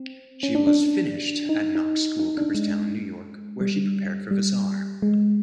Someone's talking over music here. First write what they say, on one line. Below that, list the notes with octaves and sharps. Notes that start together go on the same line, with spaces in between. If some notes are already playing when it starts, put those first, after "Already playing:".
She was "finished" at Knox School, Cooperstown, New York, where she prepared for Vassar.
Already playing: C4
C#4
D4
D4
D#4
D#4
D#4
D4
G#3
G3
G3
G#3